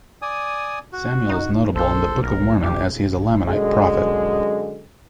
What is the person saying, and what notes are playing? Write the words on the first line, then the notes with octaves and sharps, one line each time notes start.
Samuel is notable in the Book of Mormon as he is a Lamanite prophet.
D5 G#5 D#6
F#4
D#4
A#1 A4 C5
B1 A#4
F2 G4
F#2 D3 G#3